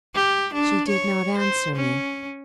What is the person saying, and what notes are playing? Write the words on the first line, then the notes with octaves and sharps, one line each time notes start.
She did not answer me.
G4
D4
C#5
C5
C#4